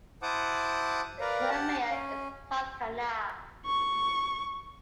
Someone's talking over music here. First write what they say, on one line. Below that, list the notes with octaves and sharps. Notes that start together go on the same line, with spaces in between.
The current mayor is Todd Kana.
E4 C5 F#5 A5 D6 D#6
A#4 B4 D5 F5 A#5
G4 F#5 A5
C#4
C#6